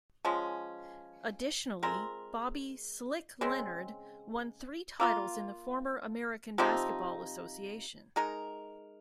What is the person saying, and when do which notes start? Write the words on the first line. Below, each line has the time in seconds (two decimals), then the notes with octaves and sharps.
Additionally, Bobby "Slick" Leonard won three titles in the former American Basketball Association.
0.25 F3 G#3 C#4
1.83 G#3 C4 F4 A#4
3.41 C#3 G#3 C4
5.00 A#3 F4 A#4
6.58 C3 F3 C4 D#4
8.16 G#3 D#4 A#4